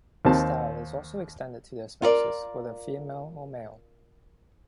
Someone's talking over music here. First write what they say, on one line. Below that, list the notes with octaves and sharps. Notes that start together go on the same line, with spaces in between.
This style is also extended to their spouses, whether female or male.
D#2 D#3 C4 A5
F4 A#4 D5